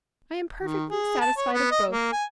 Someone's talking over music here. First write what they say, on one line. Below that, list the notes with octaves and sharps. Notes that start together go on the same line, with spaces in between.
"I am perfectly satisfied of both."
D#3
G#4
A5
C#5
B3
D#5
A#3
G#5